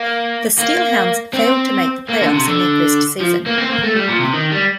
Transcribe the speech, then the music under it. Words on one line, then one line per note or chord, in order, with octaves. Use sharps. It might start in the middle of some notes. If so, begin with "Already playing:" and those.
The SteelHounds failed to make the playoffs in their first season.
Already playing: A#3
A#3
C4
A#3
D3
C3
D3
F3
A#3
C4
A#3
A3
G3
A#2
C3
D#3
G3